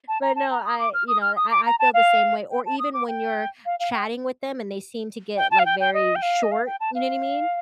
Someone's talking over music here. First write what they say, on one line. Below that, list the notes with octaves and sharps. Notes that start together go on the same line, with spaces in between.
but, no, I you know, I I feel the same way, or even when you're chatting with them and they seem to get, like, very short, you know what I mean?
A5
A#5
A5
A#5
D#6
D6
F6
D#6
F6
D#6
D6
A#5
A5
F5
G5
A5
D#6
D6
G5
F5
F5
G5
G5
A5
F5
G5
G5
D#5
G5
F5
D#5
F5
G5
A5
F5